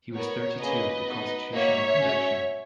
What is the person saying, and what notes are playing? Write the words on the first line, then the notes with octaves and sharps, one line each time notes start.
He was thirty-two at the constitutional convention.
B3 F#4 A#4 C#5
A#3 C#4 G#4 B4 D#5
B3 D#4 F#4
A#3 D#4 F#4 C#5 E5
C#4 F#4